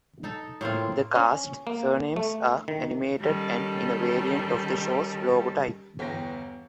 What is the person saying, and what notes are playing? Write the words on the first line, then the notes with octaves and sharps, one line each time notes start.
The cast's surnames are animated and in a variant of the show's logotype.
D#4 A4
A2 A#3 C4 F4
C#4
A#3
A3
D#3
D#3 G3 C#4 A4
G1 E2 B3 G5 A#6